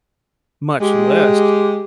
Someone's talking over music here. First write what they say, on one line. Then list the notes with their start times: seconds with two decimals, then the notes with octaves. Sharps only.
much less,
0.80 G#3 G4